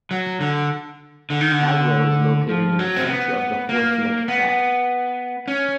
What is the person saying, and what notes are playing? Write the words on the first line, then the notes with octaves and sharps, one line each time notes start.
Caldwell is located in the center of the Horse Neck Tract.
F#3
D3
D3
D#3
D3
F3
F#3
C4
B3
A#3
B3
C#4